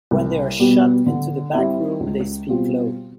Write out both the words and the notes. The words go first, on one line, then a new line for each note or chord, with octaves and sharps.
When they are shut into the back room, they speak low.
C2
B2 G3 B3
D3
G3 C4 E4
C#2
B2 G3 C4 F4